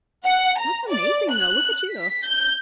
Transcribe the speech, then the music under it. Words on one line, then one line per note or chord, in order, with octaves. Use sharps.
That's amazing, though. Look at you.
F#5
A#5
D5
F#6
B6
G6